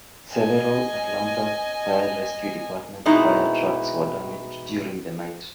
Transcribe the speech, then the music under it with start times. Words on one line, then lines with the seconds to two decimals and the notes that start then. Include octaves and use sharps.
Several Atlanta Fire Rescue Department fire trucks were damaged during the night.
0.33 D#5 G#5
3.06 B2 G#3 C4 D#4 E4